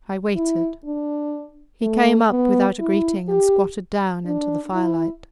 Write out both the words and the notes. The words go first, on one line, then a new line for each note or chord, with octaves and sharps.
I waited. He came up without a greeting and squatted down into the firelight.
E4
D4
A3
B3
E4
G4
D4
E4